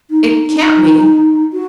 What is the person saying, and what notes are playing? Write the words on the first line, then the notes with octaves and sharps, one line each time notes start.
"It can't be."
D#4
D#4
F#4